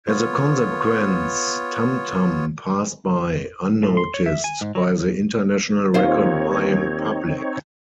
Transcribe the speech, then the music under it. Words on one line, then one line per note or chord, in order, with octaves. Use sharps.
As a consequence, "Tam-Tam" passed by unnoticed by the international record-buying public.
B3 F4 C#5
A2
C6
C#5
E5
G#5
G#2
F#3
D#2 C4 D#4 F4 C5 C#5